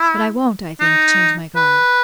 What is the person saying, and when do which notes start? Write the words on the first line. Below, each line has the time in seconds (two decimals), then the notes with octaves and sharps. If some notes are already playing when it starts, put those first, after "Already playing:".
But I won't, I think, change my garb.
Already playing: E4
0.80 D#4
1.56 B4